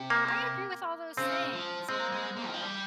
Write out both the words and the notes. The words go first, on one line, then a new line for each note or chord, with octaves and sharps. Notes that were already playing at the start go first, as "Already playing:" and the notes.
I agree with all those things, um
Already playing: C3
A#3
A#3
C#3 C4
F3
G#3 C4
G#3
A#3
D#3
F3
G3